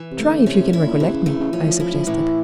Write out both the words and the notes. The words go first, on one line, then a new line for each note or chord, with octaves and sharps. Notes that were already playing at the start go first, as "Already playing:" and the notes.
"Try if you can recollect me," I suggested.
Already playing: E3
C3
A3
D3
C3 C#4
C3
E4
A#2
C3 E3
C#3
C#3 A3
C#3
F3 C#4
F3
F3 E4
F3
A2 E3